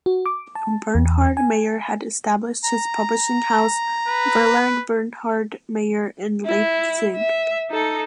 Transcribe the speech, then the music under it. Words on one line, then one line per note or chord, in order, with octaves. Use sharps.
Bernhard Meyer had established his publishing house "Verlag Bernhard Meyer" in Leipzig.
F#4
D6
A5
E2
G#5
A#5
B4
E4
E5
D#4 A4